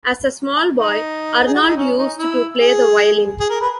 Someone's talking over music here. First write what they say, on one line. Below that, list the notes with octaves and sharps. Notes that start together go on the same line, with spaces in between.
As a small boy, Arnold used to play the violin.
D#4
G#4
F#4
E4
D#4
C#4
D#4
E4
G#4
G#4
A#4
B4